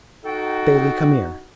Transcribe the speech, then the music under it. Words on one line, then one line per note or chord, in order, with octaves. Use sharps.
Bailey, come here.
D#4 F#4 A4 G5